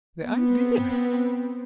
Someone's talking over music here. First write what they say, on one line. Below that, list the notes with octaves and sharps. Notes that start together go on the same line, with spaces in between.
The idea!
B3 C4